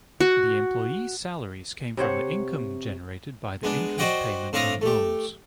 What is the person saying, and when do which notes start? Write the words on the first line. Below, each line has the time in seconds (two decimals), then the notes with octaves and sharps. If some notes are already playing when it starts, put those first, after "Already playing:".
The employees' salaries came from the income generated by the interest payments on loans.
0.20 F#4
1.97 C3 C5 C#5 F#5
3.63 G#3 B3 D4
3.98 F#4 C5 D5 D#5 F#5 G5
4.53 A2 C4 D4 F5 A#5 D#6
4.81 A3 G4